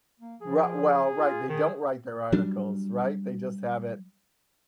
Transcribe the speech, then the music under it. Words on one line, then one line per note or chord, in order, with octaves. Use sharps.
Ri well, right they don't write their articles, right? They just have it
A#3
F3 G#4
F4
D#3 G#4
F#3 G3 D4